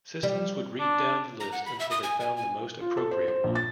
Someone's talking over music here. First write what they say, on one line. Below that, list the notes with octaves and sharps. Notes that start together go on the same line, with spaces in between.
Systems would read down the list until they found the most appropriate one.
G3
D4
A#5
F#5
B5
E5
D#6
G#5
G#5
G#5
F4
A4
C5
C5
A#1
A6